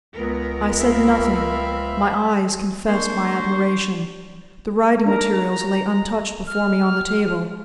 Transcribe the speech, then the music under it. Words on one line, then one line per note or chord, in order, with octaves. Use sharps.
I said nothing; my eyes confessed my admiration; the writing materials lay untouched before me on the table.
C#2 B3 A#4
C4 E5 F5 B5
G#3 A#3 D4 C5 C#6
D4 D#4 A#4 A#5
F6